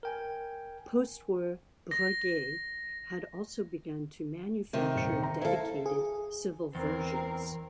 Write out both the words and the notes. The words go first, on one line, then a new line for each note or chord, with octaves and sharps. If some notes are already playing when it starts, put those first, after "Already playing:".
Postwar, Breguet had also begun to manufacture dedicated civil versions.
A#4 G5 G#5
A#6
C3 D#3
D#1 C#7
A#5
E4 A4 C5 E5 F5
G#4
E2 C4 A#4